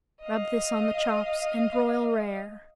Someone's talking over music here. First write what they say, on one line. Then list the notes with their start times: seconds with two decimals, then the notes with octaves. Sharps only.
Rub this on the chops and broil rare.
0.21 D#5 F5